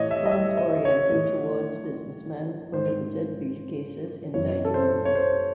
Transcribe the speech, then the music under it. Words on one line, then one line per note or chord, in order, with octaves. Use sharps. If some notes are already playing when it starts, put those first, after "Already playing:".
Clubs oriented towards businessmen prohibited briefcases in dining rooms.
Already playing: A2 E3 C#5 D#5
E5
D#5
E5
D#5
C#5
A2 E3
G#2 D#3 C5
F#2 E3 C#5
A4
C5
C#5
C5